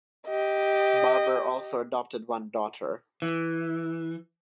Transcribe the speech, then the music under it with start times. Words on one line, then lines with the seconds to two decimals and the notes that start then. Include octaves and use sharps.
Barber also adopted one daughter.
0.27 G4 D#5
3.22 E3